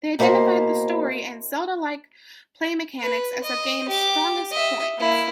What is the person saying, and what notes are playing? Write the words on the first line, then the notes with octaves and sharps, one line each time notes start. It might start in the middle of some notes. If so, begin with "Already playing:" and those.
They identified the story and Zelda-like play mechanics as the game's strongest points.
B2 A#3 E4 A#4 C5 F5
B4
D#5
G4 D6
D#5 E5
A#3 E4